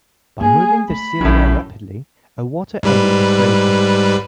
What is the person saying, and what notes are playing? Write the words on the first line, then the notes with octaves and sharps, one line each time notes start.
By moving their cilia rapidly, a water eddy is created.
A#3 G#4
A3 B5
A#1 F#2 A2 D4
G#2 G3 B4